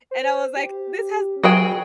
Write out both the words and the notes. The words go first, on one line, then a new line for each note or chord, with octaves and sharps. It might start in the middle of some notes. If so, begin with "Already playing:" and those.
and I was like, "This has b
C5
G4
F#3 F#4 G#4 G5